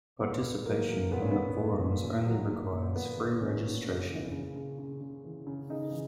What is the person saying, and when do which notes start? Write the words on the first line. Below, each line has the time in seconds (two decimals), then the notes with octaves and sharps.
Participation in the forums only requires free registration.
0.21 A#2 B3
0.44 A#2
0.66 F#3 A#3
0.89 F#3
1.12 A#2 B3
1.22 C#4
1.31 A#2 B3
1.57 A#2
1.81 A#2
2.04 A#2
2.26 F#3
2.49 A#2
2.73 A#2
2.95 A#2 B3
3.18 A#2
3.40 A#2 C#4
3.64 A#2
3.86 C#3
4.10 E3
4.32 C#3
4.56 C#3
4.79 C#3
5.01 C#3
5.25 E3
5.47 C#3
5.69 C#3 D#4
5.92 E3